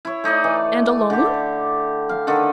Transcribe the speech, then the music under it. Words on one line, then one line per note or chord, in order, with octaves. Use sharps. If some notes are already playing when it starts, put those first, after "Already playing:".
"And alone?"
E4 C#5
A3 D#4 D5 D#5
E3
D3 G4
F5
D3 D#3 A4